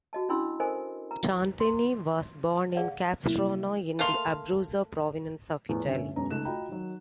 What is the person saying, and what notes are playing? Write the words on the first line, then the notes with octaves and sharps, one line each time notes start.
Santini was born in Capestrano in the Abruzzo province of Italy.
F#4 D#5 A5
C#4 D4 E4 B5 C6 E6
A4 A#4 C5 D#5 G#5
A#5
C6
G#4 D5 F5 F#5
C3 F#3 A#3 E4
A3 A#3 F5 C6
E2 A2 F3
G1 D2 G2 C#4 E5
E1 F#2 B2 C#4 A#5
C#2 A3 D#4 F#6 E7
F4 F#4 D#5 G5 A#5 B5
D#3 F#3